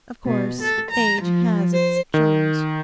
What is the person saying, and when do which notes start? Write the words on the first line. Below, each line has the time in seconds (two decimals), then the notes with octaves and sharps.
Of course, age has its charms.'
0.25 B2
0.61 A4
0.90 A#5
1.21 F3
1.72 C5
2.14 D#3